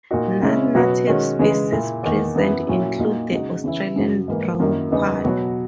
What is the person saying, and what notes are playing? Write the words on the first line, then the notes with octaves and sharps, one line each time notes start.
Non-native species present include the Australian brown quail.
A#2 A#3 D#4 F#4
C#3 G#3 C#4 E4
B2 F#3 B3 F#4
D#3 G#3 C#4 F#4
C#3 E3 G#3
A#2 A#3 E4
E2 D#3 A#3
F#2 E3 B3 E4
A#2 F#3 C#4 E4
A#2 A#3 D#4 F#4
C#3 G#3 D#4 F#4
C#3 E3 B3 E4
F#2 C#3 F#3
G#2 E3 A#3
F#2 D#3 A#3 E4
E2 C#3 G#3 B3 D#4
B2 F#3 B3 F#4